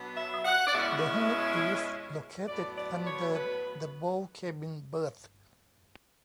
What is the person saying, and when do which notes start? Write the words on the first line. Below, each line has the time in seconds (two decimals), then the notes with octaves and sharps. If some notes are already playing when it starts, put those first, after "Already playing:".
The head is located under the bow cabin berth.
Already playing: B2 F#3 B3 D4
0.16 E5
0.45 F#5
0.67 D5
0.74 B2 G#3 C#4 E4 E5
2.48 A2 F#3 B3 D5
2.77 D5
3.06 C#5
3.35 B4